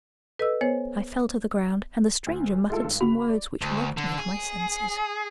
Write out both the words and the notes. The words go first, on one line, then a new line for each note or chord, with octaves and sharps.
I fell to the ground, and the stranger muttered some words, which robbed me of my senses.
A4 B4 D#5 E6
B3 C5 C#5
D2
G#3 A3 E4 F4 A4
G2
C#3 F#4 B5 F7
D5
D2
D3
G#4